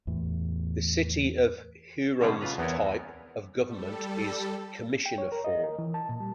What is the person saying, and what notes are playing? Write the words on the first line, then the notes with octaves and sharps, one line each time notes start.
The City of Huron's type of government is "commissioner form".
E2 A2
B2 D3 G3 C#4 G#4
C#3 F4 B4 A#5
E2 B3 C4 E4 A#4 C#5
G3 A4
G5
C#5
A#4
D#5
A#4
E3
A5
A#2
G3